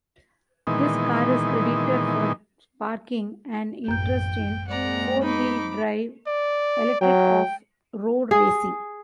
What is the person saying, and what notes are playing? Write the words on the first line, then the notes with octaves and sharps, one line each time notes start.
This car is credited for sparking an interest in four-wheel-drive electric off-road racing.
A#2 D#3 E3 G#3 B3 D#4
A1 F#2 G5 G6
G#3 A#3 C4 D5 F#5 A#5
D#4 B5 D6
D5
F#3 G5
G#4